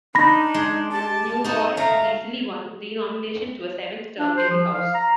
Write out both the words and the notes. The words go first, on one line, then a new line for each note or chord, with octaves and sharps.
Neugebauer easily won re-nomination to a seventh term in the House.
D4 D#4 B5 A#6
G#3
G4 A5
D#4 F#4 D#5 A5
A3 F5 A#5
D4
C5
F3
F5
A#5